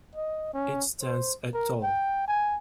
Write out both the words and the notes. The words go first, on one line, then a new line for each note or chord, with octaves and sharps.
It stands at tall.
D#5
C#4
C5
A#4
G5
G#5